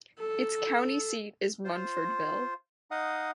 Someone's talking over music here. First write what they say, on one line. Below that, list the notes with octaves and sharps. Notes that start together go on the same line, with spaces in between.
Its county seat is Munfordville.
A4
F4 C5
D#4 D#5 F5 F#5 D#6